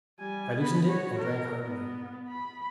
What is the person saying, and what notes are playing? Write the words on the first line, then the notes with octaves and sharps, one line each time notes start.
I loosened it and drank heartily.
G3 G#5
B3 B5
F#4 C#5
A#4
B3
B5